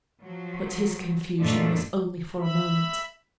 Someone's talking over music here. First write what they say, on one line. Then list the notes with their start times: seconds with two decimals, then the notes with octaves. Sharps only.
But his confusion was only for a moment.
0.23 F3 F#3
1.39 F#2 A#2 F3 G#3 A3 D4
2.40 E5 B5